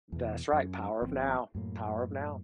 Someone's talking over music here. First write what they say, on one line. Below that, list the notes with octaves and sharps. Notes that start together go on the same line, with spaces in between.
That's right, Power of Now, Power of Now.
E2 B2
F#2 C#4
G#1 F3 B3 C4
F#2 A2 A#3